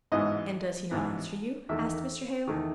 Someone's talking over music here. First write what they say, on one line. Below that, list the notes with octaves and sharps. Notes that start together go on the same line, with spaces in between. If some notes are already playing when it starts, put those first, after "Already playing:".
'And does he not answer you?' asked Mr. Hale.
A1 G#2 E3 B3 D#5
A1 G#2 E3 B3
E2 D#3 A3 E5
E2 D#3 A3